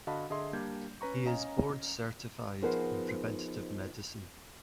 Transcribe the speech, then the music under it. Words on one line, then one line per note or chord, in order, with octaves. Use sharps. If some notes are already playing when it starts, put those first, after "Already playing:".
He is board certified in preventive medicine.
D3 F#4 D#5 F5 A5 B5
D3 G#4 D#5 E5 C6
G3 A#3 D4 G6 G#6
C#4 B4 A#5 C#6
C#4 D#5 F5 G#5 A#5
F3 B3 D#4 G#4 A#4 C5